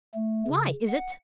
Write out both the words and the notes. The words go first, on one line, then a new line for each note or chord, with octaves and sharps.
"Why? is it--?"
A3
C#3
F#5